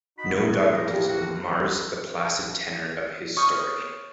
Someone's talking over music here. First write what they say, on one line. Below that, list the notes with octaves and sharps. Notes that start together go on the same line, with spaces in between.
No dogmatism mars the placid tenor of his story.
D#4 F#4 B5
A2 E3 F#3 F#4
A2 F3 A#3 A#4
G4
F#4
C#5 C#6 D#6 F6 G6